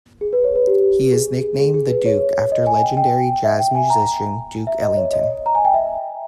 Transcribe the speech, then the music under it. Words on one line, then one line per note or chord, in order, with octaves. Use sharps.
He is nicknamed "The Duke" after legendary jazz musician Duke Ellington.
G#4
B4
C#5
B4
G4
G#4
G#4
G#4
B4
C#5
D#5
G#5
G5
G5
E5
G5
G#5
A#5
E5
D#5
C#5
D#5
A#5
G#5
G5
E5